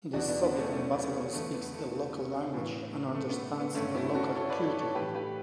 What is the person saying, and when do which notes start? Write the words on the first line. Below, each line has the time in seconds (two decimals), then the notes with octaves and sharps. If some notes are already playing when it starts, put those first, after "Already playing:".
The Soviet ambassador speaks the local language and understands the local culture.
0.13 E2 B2 D4 F#4
0.28 B3 D4
0.44 B3 D4
0.58 A3 C#4
0.73 A3 C#4
1.04 B3
1.33 E2 D3 A3
1.54 B3
1.74 A3
2.54 A2 E3
3.15 A3
3.30 B3
3.60 B3
3.75 G2 D3 A3 C#4
3.95 C#4 E4
4.15 F#4 A4
4.34 A4 C#5
4.50 B4 D5
4.65 A4 C#5
4.79 A4 C#5
4.95 A2 E3 G4 B4
5.15 G4 B4